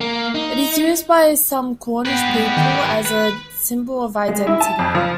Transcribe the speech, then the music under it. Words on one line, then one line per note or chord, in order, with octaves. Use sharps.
It is used by some Cornish people as a symbol of identity.
A#3
D#4
B3 G4 B4 G5 C7
G#3
D#3 G5
B4
G#3
E4
A5
F2
F3